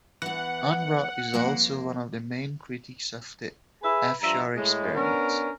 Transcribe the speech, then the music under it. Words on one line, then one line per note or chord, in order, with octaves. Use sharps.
Unruh is also one of the main critics of the Afshar experiment.
E2 E3 F#5
F2 A#3 C5
G#4 B4 E5 G#5
G2 F3 E5 A#5
A2 G#3
B3 C#4 D4 A#4